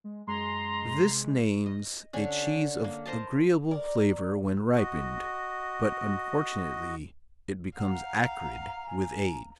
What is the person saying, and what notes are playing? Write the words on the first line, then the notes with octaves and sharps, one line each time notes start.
This names a cheese of agreeable flavor when ripened, but, unfortunately, it becomes acrid with age.
G#3
F#2 G#3 A#5 C6
C3
D#5
D3 C#4
A#3
A#4 C5 D#5 A5
A#4 D5
F#4 D#5
F5 F#5 A#5
G#5